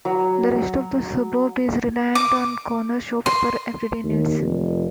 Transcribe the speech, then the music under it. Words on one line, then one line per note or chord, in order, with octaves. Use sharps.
The rest of the suburb is reliant on corner shops for everyday needs.
F#3
D6
C6
D#2
F1